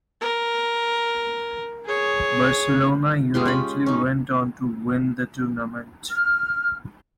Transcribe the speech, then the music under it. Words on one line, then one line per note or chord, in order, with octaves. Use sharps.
Barcelona eventually went on to win the tournament.
A#4
G#4 C#5
G#3 F4 G4 C6
C#4 D#5 B5
C#4 D#4
F6